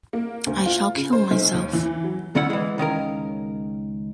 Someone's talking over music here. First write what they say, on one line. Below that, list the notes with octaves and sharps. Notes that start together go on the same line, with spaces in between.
I shall kill myself.
A#3
D2
F4
C#3
C5
B1
D#2
E3
F#3
D2 D3 B3 C#4 E4 F#5
E3 G#3
C#2 D#3 C#4 A#4